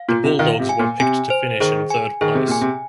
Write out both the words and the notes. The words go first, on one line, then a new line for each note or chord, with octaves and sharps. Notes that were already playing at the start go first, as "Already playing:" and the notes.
The Bulldogs were picked to finish in third place.
Already playing: F5
A#2 F4
C3
D#3 F5
C3
G#5
A#2
C3 G#5
C5
D#3 G#4
G#5
D#3 G#4
C3
A#2 G#5
C3